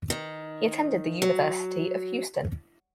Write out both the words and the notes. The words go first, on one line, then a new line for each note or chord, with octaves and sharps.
He attended the University of Houston.
D#3
F#3